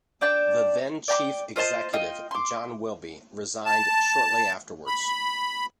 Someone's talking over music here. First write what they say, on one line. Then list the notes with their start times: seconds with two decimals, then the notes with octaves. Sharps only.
The then-chief executive, John Wilby, resigned shortly afterwards.
0.21 D4 D5 G5 A5
1.08 D5 G5 A#5 D6
1.56 F4 C5 D#5 A5
1.93 F4 D#5 G5
2.31 C6 D6
3.66 A5
4.87 B5